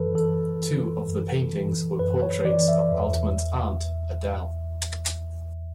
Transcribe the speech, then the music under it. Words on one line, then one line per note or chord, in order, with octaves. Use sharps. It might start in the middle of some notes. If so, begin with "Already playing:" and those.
Two of the paintings were portraits of Altmann's aunt, Adele.
Already playing: F#2 E3 A4 B4
F#2 A4
E3
F#2
E3
F#2 B4
C#5
E3 D5
E5
E2